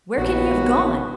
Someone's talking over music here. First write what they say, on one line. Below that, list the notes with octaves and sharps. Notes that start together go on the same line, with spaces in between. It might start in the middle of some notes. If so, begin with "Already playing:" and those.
Where can he have gone?
A#1 D#2 B3 F#4